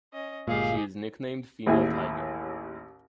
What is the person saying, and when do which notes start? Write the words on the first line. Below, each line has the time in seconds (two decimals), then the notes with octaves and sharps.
She is nicknamed "Female Tiger".
0.13 C#4 D#5
0.48 G1 A#2 G#3 G4 G#4 F5
1.66 A1 D#2 E4 G#4 G#5